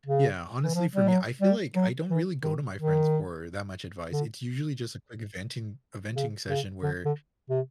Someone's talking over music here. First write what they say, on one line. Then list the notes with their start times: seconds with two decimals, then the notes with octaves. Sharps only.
Yeah. Honestly, for me, I feel like I don't really go to my friends for that much advice. It's usually just a quick venting a venting session where
0.06 C#3
0.63 E3
0.74 F3
0.96 G3
1.08 F#3
1.42 G3
1.76 F#3
2.10 E3
2.43 D#3
2.78 D#3
4.12 D3
6.16 C#3
6.49 C#3
6.83 D3
7.05 D3
7.50 C3